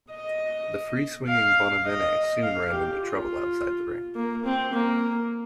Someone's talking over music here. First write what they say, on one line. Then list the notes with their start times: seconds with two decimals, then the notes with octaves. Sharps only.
The free-swinging Bonavena soon ran into trouble outside the ring.
0.11 D#5
1.27 F5
1.85 D#5
2.43 F5
2.71 G4
3.01 F4
4.15 A#3
4.45 C4
4.73 A#3